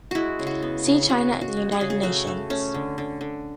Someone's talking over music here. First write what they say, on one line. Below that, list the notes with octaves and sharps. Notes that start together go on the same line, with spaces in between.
See China and the United Nations.
G#3 E4 F#4
C#3
F#4
B3
C#3
C#3 F#4
G#3
F#4
G#3
G#4
C#3 F#4
G#4
A3 F#4
A3
A3 C#4
D3
D3
D3